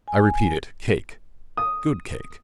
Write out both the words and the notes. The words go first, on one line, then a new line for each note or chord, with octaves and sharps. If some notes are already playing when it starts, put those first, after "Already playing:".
I repeat it, cake--good cake.
G#5
D#6